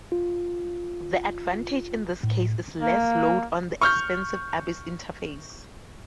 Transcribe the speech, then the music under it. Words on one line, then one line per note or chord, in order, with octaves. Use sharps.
The advantage in this case is less load on the expensive Abis interface.
F4
A2
A#3
C#6 F6 G6